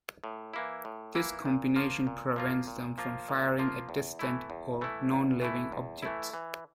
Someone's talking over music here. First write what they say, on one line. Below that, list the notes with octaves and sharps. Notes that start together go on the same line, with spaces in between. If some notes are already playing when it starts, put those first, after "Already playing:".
This combination prevents them from firing at distant or non-living objects.
A2
E3 A#3 E4
A2
E3 A#3 E4
A#2
F3 A#3 F4
A#2
F3 A#3 F4
A#2
F3 A#3 F4
A#2
F3 A#3 F4
E2
E3 A3 E4
E2
E3 A3 E4
E2
E3 A3 E4
E2
E3 A3 E4
E3